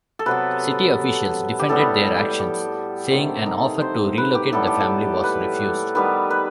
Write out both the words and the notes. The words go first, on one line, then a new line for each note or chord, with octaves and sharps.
City officials defended their actions, saying an offer to relocate the family was refused.
A4
C3 F#3 B3 B4
G4
A2 G3 B3 A4
G4
C3 D#3 A3
D#4
C5
B4
G4
A2 G3 B3 A4
G4
A4
B4
D#3 G3 B3 B4
B4